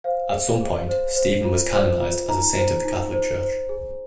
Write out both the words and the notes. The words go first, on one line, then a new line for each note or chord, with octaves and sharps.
At some point, Stephen was canonized as a saint of the Catholic Church.
C5 F5
G#4
G#4
C5
C5
F4
C5
F4
D#4 A#5
C5
D#4
C5
C5
G#4